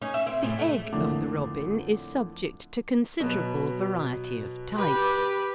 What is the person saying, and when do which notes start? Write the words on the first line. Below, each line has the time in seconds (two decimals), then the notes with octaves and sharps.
The egg of the robin is subject to considerable variety of type.
0.02 C#4 D#4
0.14 E5
0.26 C4
0.41 E2 A2 C3
0.59 A3
0.92 F2 A2 D3 A3 A#3 D4
3.20 B2 F#3 B3
4.76 G4 B4